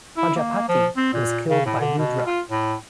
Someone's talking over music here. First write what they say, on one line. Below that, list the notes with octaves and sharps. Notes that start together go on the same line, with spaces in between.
Prajapati was killed by Rudra.
E4
A#3
F3
C4
A#2
C#3
A2
D3
B2
F4
A2